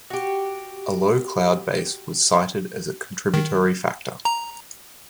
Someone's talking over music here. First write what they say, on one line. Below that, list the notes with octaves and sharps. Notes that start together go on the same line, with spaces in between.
A low cloud base was cited as a contributory factor.
F#4 G4
D#3
A#5